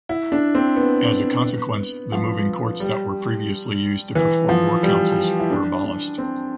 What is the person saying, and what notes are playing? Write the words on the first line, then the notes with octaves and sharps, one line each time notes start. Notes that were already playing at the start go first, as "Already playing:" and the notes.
As a consequence, the moving courts that were previously used to perform war councils were abolished.
E4
D4
C4
B3
F3
G3
E3
F3
G3
E4
D4
D4
C4